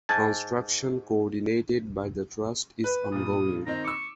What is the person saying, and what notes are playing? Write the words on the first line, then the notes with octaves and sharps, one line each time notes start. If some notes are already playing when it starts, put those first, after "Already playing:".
Construction coordinated by the trust is ongoing.
G#2 G#5 A5
B4
G2 A#2 D#6
D#3 C4 D#4 A#5
C#6 D6 E6